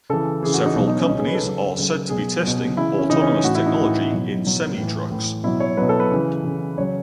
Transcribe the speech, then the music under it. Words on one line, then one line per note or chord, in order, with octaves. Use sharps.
Several companies are said to be testing autonomous technology in semi trucks.
C#3 E3 A4
C#3 E3 G#4
F#4
D#4
B2 F#3
D#4
C#4
B2 F#3 D#4
G#4
B4
A4
C#3 F#3
C#3 F#3
B2 F#3 G#4
B2 F#3
C#3 E3 E4
C#4
C#3 E3 D#4
C#4
A2 E3 F#4
E4
D#4
A2 E3
B2 F#3
B2 F#3
A2 E3
A2 E3
B2 F#3 E4
C#5
B2 F#3 B4
A4
B4
C#3 E3
C#3 E3
C#3 F#3 C#5